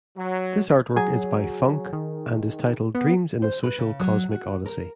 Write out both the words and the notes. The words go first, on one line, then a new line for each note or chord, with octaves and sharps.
This artwork is by :phunk and is titled "Dreams in a Social Cosmic Odyssey".
F#3
F#3 G#4 G#5
D#3
B3
C5
B4
C#3
F#3
F#4
A#4